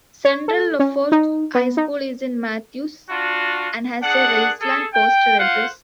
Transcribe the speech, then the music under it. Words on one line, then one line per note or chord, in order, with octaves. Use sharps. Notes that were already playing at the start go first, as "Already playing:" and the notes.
Central Lafourche High School is in Mathews, and has a Raceland postal address.
C#5
A4
C#4
D#4
B3
D#4
D4 F4 F#4
D4 G#4 F#5
G#4 A4
G5
F4 C5 F5 F#5